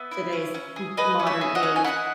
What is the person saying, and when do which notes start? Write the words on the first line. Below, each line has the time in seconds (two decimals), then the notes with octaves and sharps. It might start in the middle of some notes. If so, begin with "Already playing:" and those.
today's m modern age,
Already playing: B3 E5
0.11 E4
0.32 C#4
0.54 C#4
0.76 G#4
0.97 G#4 B4 D#5
1.19 C#4
1.27 C#5 E5
1.41 G#4
1.55 D#5 F#5
1.63 C#4
1.76 G#5
1.84 E4 D#5 F#5